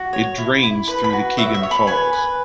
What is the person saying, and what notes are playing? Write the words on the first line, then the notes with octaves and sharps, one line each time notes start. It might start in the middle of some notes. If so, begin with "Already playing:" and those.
It drains through the Kegon Falls.
Already playing: F#4
C#5
E4
E4
B4 B5
B5
F#4
C#5 E5
E5
C#5
B5
B4 G#5
B4